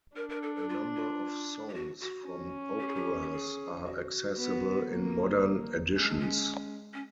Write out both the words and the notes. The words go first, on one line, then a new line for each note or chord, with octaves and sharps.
A number of songs from operas are accessible in modern editions.
D4 A#4
A#4
A4
A4
F4
F4
G4
F#4
F#4
C#4
G4
G#4
G4
G4
G#4
F#4
B3
A#3
G#3 C#4
D4
C#4
C#4